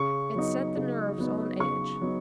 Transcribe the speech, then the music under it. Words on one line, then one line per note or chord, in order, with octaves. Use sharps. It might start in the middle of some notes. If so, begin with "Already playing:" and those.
It set the nerves on edge.
Already playing: C#3 C#6
F#3 B3 D#4
C#3
F#3 B3 D#4
C#3 C#6
F#3 B3 D#4